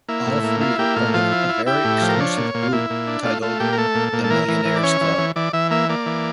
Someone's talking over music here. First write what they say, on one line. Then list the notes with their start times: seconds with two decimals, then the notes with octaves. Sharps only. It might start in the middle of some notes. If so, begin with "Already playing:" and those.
All three were part of a very exclusive group titled "the Millionaires' Club".
0.08 A#3 E4
0.27 A2
0.44 A#3
0.61 E4 F4
0.79 A#3 G4
0.96 A2 F4
1.14 F3 F4
1.32 E4
1.49 E4
1.66 E4 G4
1.84 A2
2.02 F3
2.09 A#4
2.20 D4 C#5
2.38 A#2
2.54 A#2
2.62 F4
2.72 A#2 E4
2.90 A#2
3.07 D4
3.25 A3 F4
3.42 A3 F4
3.60 A#2 G4
3.73 A#4
3.78 A3 A4
3.95 A#2
4.13 A#2
4.24 A4
4.30 E3 A#4
4.48 E3
4.65 E3
4.76 D5
4.83 C#4 C#5
5.01 E3
5.18 E3
5.36 E3 D5
5.53 E3 E5
5.71 A#3 E5
5.89 A#3 D5
6.06 E3